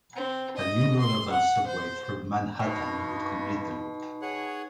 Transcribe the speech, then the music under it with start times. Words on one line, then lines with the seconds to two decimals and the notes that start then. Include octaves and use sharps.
A new low-level subway through Manhattan would complete the loop.
0.15 C4
0.57 D#5
0.99 C6
1.31 F#5
1.67 C5
2.60 G2 B2 D#4
4.22 G#4 C#5 F#5